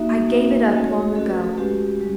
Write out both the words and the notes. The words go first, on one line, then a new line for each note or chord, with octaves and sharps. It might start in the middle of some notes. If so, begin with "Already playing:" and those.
I gave it up long ago.
Already playing: A#3 D#4 F#4 E5
A#3 D#4 F#4
A3 C#4 F#4 D#5
C#5
G#4
A3 C#4 F#4 A4
B4
A4
G#3 C#4 F#4 G4
G3